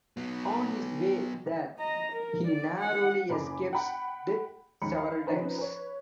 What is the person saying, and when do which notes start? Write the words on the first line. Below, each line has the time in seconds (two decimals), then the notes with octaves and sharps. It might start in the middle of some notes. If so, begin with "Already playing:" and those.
On his way there, he narrowly escapes death several times.
0.17 F#3 B3
1.79 D#5 A#5
2.13 A#4
2.47 D5
2.79 F#5
3.30 F#1 G#4 B5 D6
3.73 F#5 G5 B5
4.82 D#2 G#3 B5 C#7
4.97 F5 B5
5.26 F3 C#4 D#4 B4 C5
5.58 B4 C#5